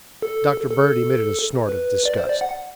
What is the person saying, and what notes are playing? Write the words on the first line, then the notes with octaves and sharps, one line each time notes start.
Dr. Bird emitted a snort of disgust.
A4
A4
B4
D5
C5
D5
F#5